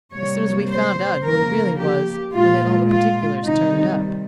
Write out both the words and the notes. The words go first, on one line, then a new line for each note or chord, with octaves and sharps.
As soon as we found out who he really was, we had all the particulars turned up.
C3 G3 A#3 C#5
C5
C#3 F3 A#3 A#4
G4
A#2 G#3 F4
F4
C3 D#3 G3 D#4